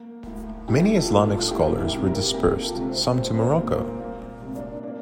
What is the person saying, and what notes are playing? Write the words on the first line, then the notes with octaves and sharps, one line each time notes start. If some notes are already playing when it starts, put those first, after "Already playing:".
Many Islamic scholars were dispersed, some to Morocco.
Already playing: A#3
A2
A3 E4 G4
F4 A4
A#2
F4 A4
A#3 E4 G4
E4 G4
C3
G4 A#4
A#3 G4 A#4
F4 A4
C3
C4
A#2 C4
C4
A#3
A#2
A#3
A#3
C3
A#3 D4
A#3 D4